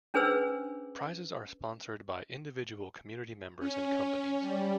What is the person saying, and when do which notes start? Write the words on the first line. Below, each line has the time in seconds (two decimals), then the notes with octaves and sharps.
Prizes are sponsored by individual community members and companies.
0.14 C#4 D4 G#4 B4 C5 E6
3.60 C#4
4.40 G3